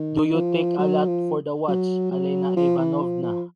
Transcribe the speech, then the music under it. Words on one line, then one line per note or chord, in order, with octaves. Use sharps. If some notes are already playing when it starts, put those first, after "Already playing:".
Do you take a lot for the watch, Alena Ivanovna?
Already playing: D#3
F3
F#3
F3
F#3
F#3
F3
E3
F3
F3